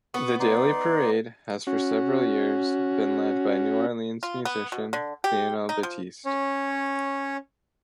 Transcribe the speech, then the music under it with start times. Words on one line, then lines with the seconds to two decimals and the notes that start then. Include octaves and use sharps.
The daily parade has for several years been led by New Orleans-musician Lionel Batiste.
0.14 B3 C#6 D#6
0.40 D#4 D5 C6
1.67 C#4 F#4
4.23 F4
4.45 B3
4.72 B2
4.93 D3
5.24 G4
5.69 D#4
5.83 F3
6.26 C#4 C#5